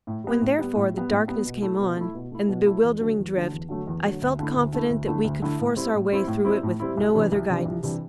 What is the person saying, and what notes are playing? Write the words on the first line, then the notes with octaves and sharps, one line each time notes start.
When, therefore, the darkness came on, and the bewildering drift, I felt confident that we could force our way through it with no other guidance.
A2
G3 B3
A2
G3 B3
A2
G3 B3
A2
G3 B3
B2
A3 E4
B2
A3 E4
B2
A3 E4
B2
A3 E4
E2
D3 F#3 A3
E2
D3 F#3 A3
E2
D3 F#3 A3
E2
D3 F#3 A3
D2
D3 A3 E4
D2
D3 A3 E4
D2
D3 A3 E4
D2
D3 A3 E4
A2
G3 C4 E4
A2
G3 C4 E4
A2
G3 C4 E4
A2
G3 C4 E4
C2
C3 E3 G3 D4
C2
C3 E3 G3 D4
C2
C3 E3 G3 D4